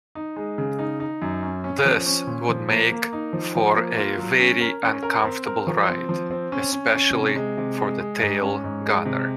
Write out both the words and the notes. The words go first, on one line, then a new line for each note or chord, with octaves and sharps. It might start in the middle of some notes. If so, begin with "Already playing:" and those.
This would make for a very uncomfortable ride, especially for the tail gunner.
D#4
G#3
C#3
D#4
D#4
F#2
C#4
C#4
F3
C#4
A#2
F3
A#3
A#3
D#4
F3
F3
A#3
F4
F#3
C#4
A#4
C#4
A#4
C4
A#4
F3
C4
F3
C4
C#4
C#4
C#4
C3
G#3
C3
G#3
G#3
G#2
C#4
G#2
G#3
C3